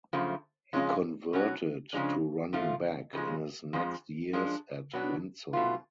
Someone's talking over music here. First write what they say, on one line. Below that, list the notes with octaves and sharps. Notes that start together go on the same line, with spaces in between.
He converted to running back in his next years at Windsor.
F#2 C#3 F3 A3
F2 C#3 G#3 C#4 F4
B2 F#3 C#4 F#4
C#3 F3 G#3 D4
G#2 F3 A3 F4
C#3 F3 G#3
F2 F3 G#3
F3 G#3 D4
B2 F#3 B3 D4
B2 A3 F4